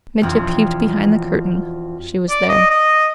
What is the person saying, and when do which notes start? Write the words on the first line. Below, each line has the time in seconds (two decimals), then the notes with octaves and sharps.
Mitya peeped behind the curtain--she was there.
0.21 E1 F2
2.30 D5
2.49 D#5
2.71 D#5